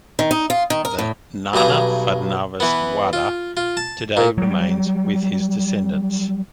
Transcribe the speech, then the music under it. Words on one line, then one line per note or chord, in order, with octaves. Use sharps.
The Nana Phadnavis Wada today remains with his descendants.
D#3
D#4
F4
D#3
A#4
A2
B1 G2 G#5 A#5
E3 B3
F4
F4
A5
A#2
F#3 G3